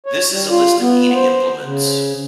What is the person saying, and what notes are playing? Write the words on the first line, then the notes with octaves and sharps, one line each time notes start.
This is a list of eating implements.
C#5
G3
F4
B3
C5
C#3